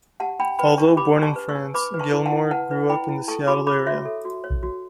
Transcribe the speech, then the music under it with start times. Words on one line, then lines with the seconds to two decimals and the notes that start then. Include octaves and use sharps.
Although born in France, Gilmore grew up in the Seattle area.
0.20 G4 F#5 A5
0.40 D4 G5 B5
0.59 B4 G5 B5
0.77 D4 A5 C#6
0.97 G4 B5 D6
1.16 D4
1.23 A5 C#6
1.36 B4
1.49 C#6 E6
1.55 D4
1.74 B4 B5 D6
1.94 B4
1.99 A5 C#6
2.13 E4
2.26 F#5 A5
2.32 E4
2.51 B4 F#5 A5
2.71 B4
2.89 E4 G5 B5
3.09 E4
3.28 A4 A5 C#6
3.47 F#4 B5 D6
3.67 C#5 B5 D6
3.86 F#4 C#5 E5
4.05 A4
4.25 F#4
4.44 C#5
4.63 F#4